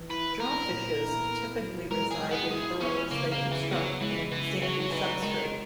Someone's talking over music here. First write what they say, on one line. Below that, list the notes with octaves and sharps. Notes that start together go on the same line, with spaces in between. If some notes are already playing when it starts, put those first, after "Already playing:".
Jawfishes typically reside in burrows they construct in sandy substrate.
Already playing: E3
E4 B4
B3 A#4
A#2
E4
B3
F#3
G#3 A#4
G#4
G#3
B3
E4 G#4
B3 C#4
C#3 A#3
A#3
C#3
E3
F#3 B3
E3 G#3
C#3 E3
F#3 F#4
F#3
E3 D#4
D#3 G#3